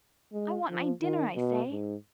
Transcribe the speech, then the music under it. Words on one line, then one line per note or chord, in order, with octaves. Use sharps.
"I want my dinner, I say."
G#3
F3
D#3
B2
G#2